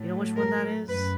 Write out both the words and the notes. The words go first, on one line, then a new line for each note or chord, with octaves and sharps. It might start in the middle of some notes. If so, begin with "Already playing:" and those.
You know which one that is?
Already playing: A2 F#3 A3
A#4
F#2 B4